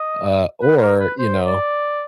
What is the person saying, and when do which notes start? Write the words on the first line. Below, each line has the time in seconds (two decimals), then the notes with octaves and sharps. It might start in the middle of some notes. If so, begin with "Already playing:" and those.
uh, or, you know,
Already playing: D#5
0.62 B4
0.81 A#4
1.00 B4
1.19 C5
1.46 D5